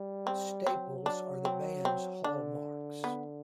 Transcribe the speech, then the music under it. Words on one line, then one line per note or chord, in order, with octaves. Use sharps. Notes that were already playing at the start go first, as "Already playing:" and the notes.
Staples are the band's hallmarks.
Already playing: G3
C4
F#3 C4
D4
C4
C4
D3 D4
B3